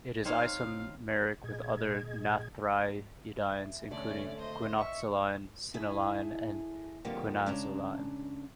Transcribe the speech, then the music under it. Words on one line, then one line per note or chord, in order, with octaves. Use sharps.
It is isomeric with other naphthyridines including quinoxaline, cinnoline and quinazoline.
C4 D#4 C#5 F5
A#2 G#4 D#5 G#6
E5
D3 A3 C#4 D5
C5 D#5
D#5 E5 C#6
E4 G#4 A4
F2 D3 F3 G3 A#3 B3
C#3 G#3 C#4 D4 A5 A#5